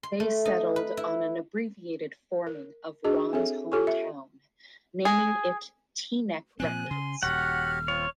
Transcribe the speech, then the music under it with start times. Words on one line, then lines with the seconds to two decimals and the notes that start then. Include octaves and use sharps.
They settled on an abbreviated forming of Ron's hometown, naming it T-Neck Records.
0.03 C6
0.20 A3
0.45 D#4
0.76 B4
0.97 E4
2.47 A#4
3.04 D4 F#4 G#4 D#5
3.33 C4 G#4 A4 C#5 E5
3.72 F4 G4 A4 C#5 G#5 C#6
3.87 E5
5.05 G#4
6.60 A#2 F3 C4 G#5 F#6
6.91 C#3 C6
7.23 D#1 F#4 G4 C#5 F#5 F6
7.88 C4 F4 C#5